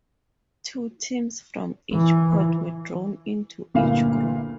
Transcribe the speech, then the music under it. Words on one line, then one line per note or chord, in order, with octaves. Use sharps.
Two teams from each pot were drawn into each group.
E3
G1 D2 A#2 A#3 E4 F5